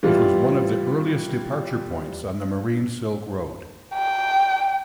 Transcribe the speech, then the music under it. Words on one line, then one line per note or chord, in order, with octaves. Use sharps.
It was one of the earliest departure points on the Marine Silk Road.
E3 G3 F4
G5